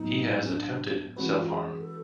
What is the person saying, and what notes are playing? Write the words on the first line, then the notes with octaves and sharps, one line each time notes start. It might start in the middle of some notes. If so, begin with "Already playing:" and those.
He has attempted self-harm.
Already playing: A2 F#3 B3 D#4
C#4
D4
D4
E3 G#3 C4 C#4 F#4 B4
D4
F4
G#4
A4